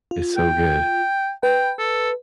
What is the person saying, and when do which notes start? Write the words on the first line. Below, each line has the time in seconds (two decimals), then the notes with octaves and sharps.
it's so good.
0.11 F4
0.37 G5
1.43 B4 G5
1.79 A4